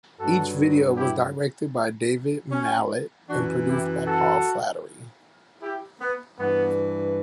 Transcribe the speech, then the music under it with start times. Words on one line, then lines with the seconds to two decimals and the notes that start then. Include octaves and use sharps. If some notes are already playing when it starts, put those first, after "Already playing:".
Each video was directed by David Mallet and produced by Paul Flattery.
0.19 G2 F#3 F#4 A4
0.97 E4 G4
2.52 C#4
3.29 F#2 E3 D4 F#4
3.68 E4 G4
4.07 F#4 A4
5.62 E4 G4
6.00 B3
6.39 G2 E3 B3